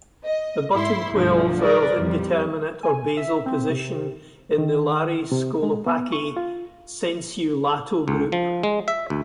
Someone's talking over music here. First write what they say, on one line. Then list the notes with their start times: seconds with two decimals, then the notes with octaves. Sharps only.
The buttonquails are of indeterminate or basal position in the Lari-Scolopaci "sensu lato" group.
0.25 D#5
0.72 G#2 E4 C6
1.12 B1 G2 D3 F3 A3
1.63 G#4 A#4 B4 D5
1.96 F2 G3
2.83 G#5
3.17 E5
3.46 C4
3.70 C3
4.58 D#3
5.32 C3
5.63 G#3
5.86 B3
6.12 C#6
6.37 F4
8.08 C#2
8.32 F3
8.63 G#3
8.88 E5
9.10 D2